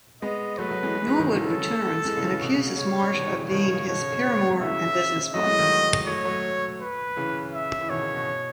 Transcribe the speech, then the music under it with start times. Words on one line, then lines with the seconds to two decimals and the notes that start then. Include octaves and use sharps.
Norwood returns and accuses Marsh of being his paramour and business partner.
0.22 G#3 B3 D#5
0.59 F#3 A3 B4
0.70 F#3 A3
0.83 E3 G#3
0.95 E3 G#3
1.07 E3 G#3
1.19 D#3 F#3
1.31 C#3 E3 A4
2.05 E3 G#3
2.17 C#3 E3
2.29 C#3
2.41 B2
2.54 C#3
2.66 B2
2.78 C#3 C#5
3.14 B2 D#3
3.27 C#3 E3
3.34 D#3
3.39 C#3
3.51 B2 D#3 C#5
3.64 C#3
3.76 C#3
3.88 B2 D#3 C#5
4.00 C#3
4.12 C#3
4.61 C#3 E3 E5
5.34 F#3 A3 D#5
5.46 E3 G#3
5.58 D#3 F#3
6.07 F#3 A3 C#5
6.25 F#3 A3
6.80 B4
7.16 C#3 E3
7.54 E5
7.81 E3
7.90 B2 D#3 C#5
8.02 C#3
8.14 B2